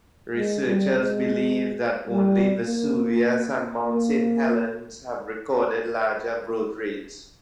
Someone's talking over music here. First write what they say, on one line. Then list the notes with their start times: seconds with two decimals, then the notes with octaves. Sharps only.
Researchers believe that only Vesuvius and Mount Saint Helens have recorded larger growth rates.
0.37 G#3
0.65 G3
0.95 G#3
2.09 G3
2.66 A#3
3.82 A#3